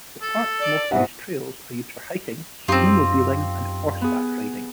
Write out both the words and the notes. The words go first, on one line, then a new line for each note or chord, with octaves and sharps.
The park's multi-use trails are used for hiking, snowmobiling and horseback riding.
A4
D5
G#2 E3 G3 E5 F#5
F#2 C4 D#4 F4 G4 C#6
B3 G#4